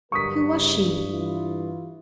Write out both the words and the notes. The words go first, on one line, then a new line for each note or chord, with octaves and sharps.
Who was she?
G2 D3 F#3 A#4 C#6 D#6 B6
C#3
E3 E4 F4